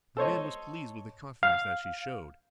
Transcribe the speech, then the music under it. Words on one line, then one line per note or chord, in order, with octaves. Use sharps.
The man was pleased with the confidence that she showed.
A4 C5 C#5 D#5
F5